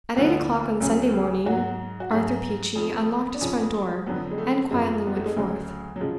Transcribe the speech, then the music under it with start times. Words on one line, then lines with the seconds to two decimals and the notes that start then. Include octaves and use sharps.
At eight o'clock on Sunday morning, Arthur Peachey unlocked his front door, and quietly went forth.
0.16 D2 D3 F3 B3
0.81 D2 C#3 F#3 C#4
1.14 G#4
1.45 G#2 F#3 F#4
2.00 F#4
2.10 G#2 F#3 G#4
2.76 F2 F3
3.34 D4
3.41 F2 C#3 F3 C#4
4.06 F2 D3 F#3 B3
4.31 G#3
4.38 A3
4.71 F#2 F3 G#3
5.07 B3
5.17 A3
5.26 G#3
5.36 D2 C#3 F#3
5.96 F#3
6.01 C#3 F3 G#3